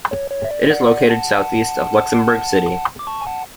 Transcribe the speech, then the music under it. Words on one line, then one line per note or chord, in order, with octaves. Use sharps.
It is located south-east of Luxembourg City.
C#5
C#5
E5
D5
D5 F#5
F#5 A5
D6
A5 C#6
G#5
F#5 A5